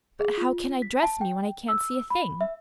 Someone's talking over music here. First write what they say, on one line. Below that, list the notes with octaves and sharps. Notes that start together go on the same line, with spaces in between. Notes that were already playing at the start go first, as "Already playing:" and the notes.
"But how can I dress me when I can't see a thing?"
G#4
F4
B6
A5
G5
E6
B5
E5